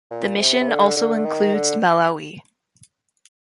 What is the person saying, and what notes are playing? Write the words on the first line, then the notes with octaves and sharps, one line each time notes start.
The mission also includes Malawi.
A#2
C3
C3
D3
D3
D#3
D3